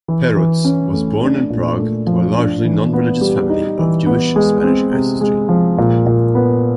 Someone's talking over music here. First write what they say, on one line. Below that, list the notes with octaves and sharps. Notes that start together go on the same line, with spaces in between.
Perutz was born in Prague to a largely non-religious family of Jewish-Spanish ancestry.
E3
E3
C#4
A3
D4
A#2
A3
F3
D4
E3
B3
G3
D#4
E3
B3
G#3
C4
C3
G#3
F3
A#2
A#2
B3